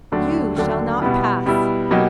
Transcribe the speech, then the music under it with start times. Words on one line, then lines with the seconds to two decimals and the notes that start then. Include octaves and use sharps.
"You shall not pass!"
0.12 D#2 D3 F#3 A3 D4
0.56 D#2 D3 F#3 A3 D4
1.01 B2 G3 B3 E4
1.46 B2 G3 B3 E4
1.91 B2 F#3 A#3 D#4 G4